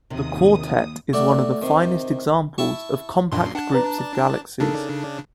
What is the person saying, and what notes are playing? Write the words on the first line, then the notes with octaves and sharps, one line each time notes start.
The quartet is one of the finest examples of compact groups of galaxies.
D#2 C3 D#3 D#6
A3 F#4 D5
C3 D#3
E4 A5 C#6
F#2 A#2 D4 C6
D4 F#5 A5
B4 A#5
C#3 D4 D#4 A4 A#4